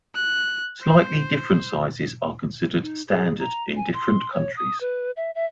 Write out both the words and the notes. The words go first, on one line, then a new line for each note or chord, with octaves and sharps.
Slightly different sizes are considered "standard" in different countries.
F#6
C5
D#4
G#4
A#5
G#5
C6
C#5
D#6
B4
E5
E5